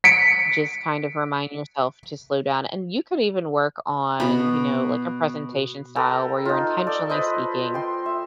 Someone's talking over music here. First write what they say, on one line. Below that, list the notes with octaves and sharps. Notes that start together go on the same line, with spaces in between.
Just kind of remind yourself to slow down, and you could even work on, you know, like a presentation style where you're intentionally speaking
B6 C#7 D7
B2 B5
A4 B4 G5 A#5
D#4 F4
A4 D5
B4 C5 D#5
G5 C6
E5